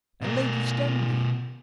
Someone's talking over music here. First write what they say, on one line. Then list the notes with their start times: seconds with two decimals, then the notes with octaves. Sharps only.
And Lady Stanley!
0.22 B2 A#4